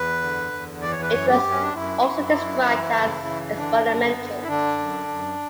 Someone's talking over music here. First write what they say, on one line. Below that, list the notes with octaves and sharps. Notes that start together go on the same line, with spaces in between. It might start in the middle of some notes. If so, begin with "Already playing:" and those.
It was also described as experimental.
Already playing: E2 B4
D3
E2
E3 D5
C#5
B4
F#2 C#5
G4
F#2
C#4
D4
F#2 E4
F#2
F#2
E3
C#3
E3
D3 D4
D3
B3
D3
E4
D3 D4
F#2
F#2